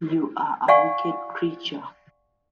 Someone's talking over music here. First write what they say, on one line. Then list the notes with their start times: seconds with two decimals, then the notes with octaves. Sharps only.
You are a wicked creature!
0.68 D5 F5 F#5 G#5 C#6